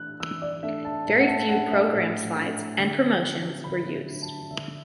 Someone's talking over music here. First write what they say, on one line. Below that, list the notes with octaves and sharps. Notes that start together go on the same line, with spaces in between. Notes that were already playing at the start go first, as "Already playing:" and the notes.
Very few programme slides and promotions were used.
Already playing: E3 A3 D4 F#6
E3 E6
D5
A3 D4 E5
A5
A2 E5
F#5
A5
A3 D4 F#5
E5
A2
A3 D4
D3
F#3 D4
D3 B5
F#3 D4
A5
D3 E5